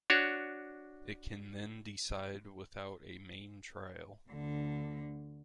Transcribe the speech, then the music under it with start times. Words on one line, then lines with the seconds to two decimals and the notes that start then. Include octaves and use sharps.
It can then decide without a main trial.
0.10 D4 F#4 C#5
4.29 D2 D3